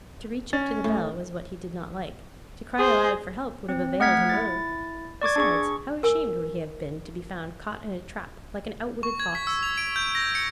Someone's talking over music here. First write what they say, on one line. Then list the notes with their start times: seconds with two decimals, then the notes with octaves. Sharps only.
To reach up to the bell was what he did not like; to cry aloud for help would have availed him little; besides, how ashamed would he have been to be found caught in a trap, like an outwitted fox!
0.53 C#4 A6
0.84 A2
2.79 G#4 C5
3.69 C4
4.00 A3 F#5 F6 G#6 B6
4.29 E4 A6
5.21 D5 C#6 D6 G#6
5.36 D4 G#4 C#6
6.03 A#4 G#5 E6
9.03 C#6
9.20 G#6
9.35 B6
9.47 E6
9.63 F7
9.78 D7
9.96 G6
10.15 A#6
10.35 C#7